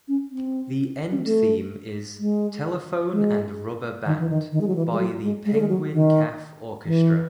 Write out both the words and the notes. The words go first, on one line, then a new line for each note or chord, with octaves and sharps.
The end theme is "Telephone and Rubber Band" by the Penguin Cafe Orchestra.
C#4
C4
C#4
C4
A3
G#3
G#3
D#3
E3
D#3
D#3
G#3
F#3
E3
G#3
F#3
G#3
G#3
A3
G#3
F#3
D#3
E3